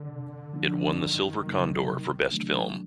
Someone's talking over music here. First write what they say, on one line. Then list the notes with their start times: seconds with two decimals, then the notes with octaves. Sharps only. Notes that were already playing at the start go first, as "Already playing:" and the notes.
It won the Silver Condor for Best Film.
Already playing: D3
0.09 C3
0.53 F3 A#3 D4
0.97 F#2 D#3
1.42 C#3 F#3 A#3
1.87 C3
2.31 D#3 F#3 A3 D4